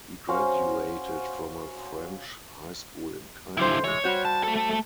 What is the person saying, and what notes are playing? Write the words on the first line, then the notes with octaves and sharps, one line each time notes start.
He graduated from a French high school in Cairo.
C#4 F#4 C5 F5
F3 D4 E4 C5
E3 G#3 C#5
G3 F#4 C5
A5
A3 A4